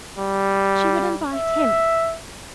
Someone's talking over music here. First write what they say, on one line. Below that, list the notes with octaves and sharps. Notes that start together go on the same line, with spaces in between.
She would invite him.
G3
E5